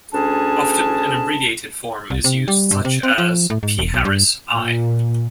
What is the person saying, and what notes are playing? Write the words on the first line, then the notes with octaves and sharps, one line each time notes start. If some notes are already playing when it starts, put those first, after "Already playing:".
Often an abbreviated form is used, such as "pHarris I".
D2 C#4 D4 G#4 A5
C2
C3
G3
G2
C3
C4
F3
A2
G#2
E1
B1
G2
A#2